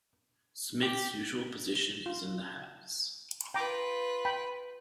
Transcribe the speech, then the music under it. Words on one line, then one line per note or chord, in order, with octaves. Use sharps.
Smith's usual position is in the halves.
G4
F4
F4 B4 G5 A#5 D6
G5 B5